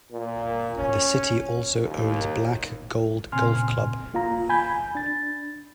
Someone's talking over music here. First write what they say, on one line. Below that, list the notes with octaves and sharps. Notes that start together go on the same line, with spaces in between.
The city also owns Black Gold Golf Club.
A#2
C#4
D#2
A#2 C#3 C4 G#5 C6 F6
A#3 F4 F5 A#5
G#5 B5 G6
D4 A6